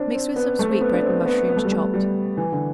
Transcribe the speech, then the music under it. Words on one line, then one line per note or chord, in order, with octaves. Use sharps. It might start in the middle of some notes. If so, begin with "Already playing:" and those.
Mix with some sweetbread and mushrooms chopped.
Already playing: C4 D4
C4
B3
A3
C4
B3
D4
C4
B3
B3
A3
G3
A3
G3
E3
D3